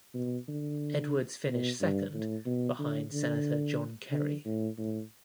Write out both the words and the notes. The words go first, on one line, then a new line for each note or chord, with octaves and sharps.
Edwards finished second, behind Senator John Kerry.
B2
D3
B2
G2
A2
B2
D3
D3
D3
A2
A2